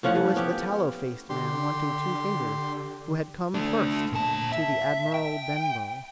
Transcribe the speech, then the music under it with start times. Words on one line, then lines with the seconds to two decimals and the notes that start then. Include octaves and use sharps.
It was the tallow-faced man, wanting two fingers, who had come first to the Admiral Benbow.
0.03 A2 F3 C#4 F#5
0.36 B3 C#4 G4
1.30 D3 G4 C6
3.54 A3 D4
4.12 A#2 A5
4.52 E5
5.14 G5